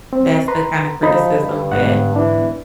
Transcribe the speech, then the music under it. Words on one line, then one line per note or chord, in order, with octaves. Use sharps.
That's the kind of criticism that
C4
B4 A#5 C6
F3 D#4 B5
G2
G#2 D3 B3 F#5
E3 D4